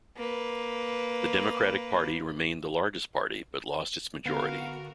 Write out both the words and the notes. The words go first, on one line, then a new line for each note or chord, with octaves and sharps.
The Democratic Party remained the largest party, but lost its majority.
A#3 B4
D3 B3 F#4 A#4 F5